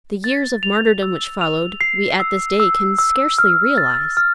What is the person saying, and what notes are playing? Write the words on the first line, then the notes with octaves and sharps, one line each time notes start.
The years of martyrdom which followed, we at this day can scarcely realize.
A6
F7
E6
F7
C7
E6
E6
E6
F6
A6
F6